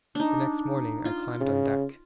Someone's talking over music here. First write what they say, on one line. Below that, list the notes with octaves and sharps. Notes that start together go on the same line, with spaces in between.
The next morning I climbed on deck.
D4 D#4
F4
C#3